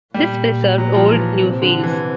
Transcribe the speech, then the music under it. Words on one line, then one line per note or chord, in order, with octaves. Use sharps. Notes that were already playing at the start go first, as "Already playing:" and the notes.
This preserved old Newfields.
A#2 G3
F#3
F3
E3
C3
D3
E3